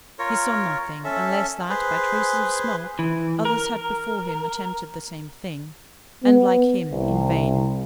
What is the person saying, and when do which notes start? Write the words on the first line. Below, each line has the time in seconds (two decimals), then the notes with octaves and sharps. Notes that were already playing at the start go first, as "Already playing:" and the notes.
He saw nothing, unless that, by traces of smoke, others had before him attempted the same thing, and, like him, in vain.
0.19 F4 A#4 C#5
1.04 C#4 A4 E5
1.70 G#4 B4 C5
2.99 E3
3.45 A#4
6.24 B3
6.92 C2